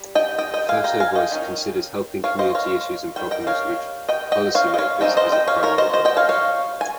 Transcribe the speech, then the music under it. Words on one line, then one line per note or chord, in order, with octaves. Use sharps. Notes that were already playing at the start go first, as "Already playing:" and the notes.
Photovoice considers helping community issues and problems reach policy makers as its primary goal.
Already playing: G3
D#5 G5
D#5 G5
D#5 G5
F5 G#5
G5 A#5
F5 G#5
D#5 G5
D#3 G3 C#4
C#5 F5
C5 D#5
C#5 F5
D#3 G3 G5
D#5 G5
C#5 F5
D#5 G5
D#5 G5
C#5 F5
D#5
C#5 F5
G3 C4 D#4 D#5 G5
C5 D#5
D#5 G5
C#5 F5
A#4 C#5
C5 D#5
C5 D#5
D#5 G5
C#5 F5
C#5 F5
G#5